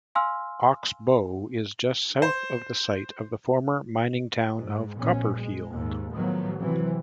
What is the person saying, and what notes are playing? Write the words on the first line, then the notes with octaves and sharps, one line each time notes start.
Oxbow is just south of the site of the former mining town of Copperfield.
F5 G#5 C6 E6 F6
C5
G#2
A#1 B2 C#4
G#3
D#2 G#2
A2 D#3 F3 F#3 B3
C3 E3 F#3 C4